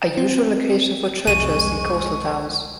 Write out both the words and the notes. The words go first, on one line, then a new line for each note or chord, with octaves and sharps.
A usual location for churches in coastal towns.
C4
C2 F2 G#3 C#6 D#7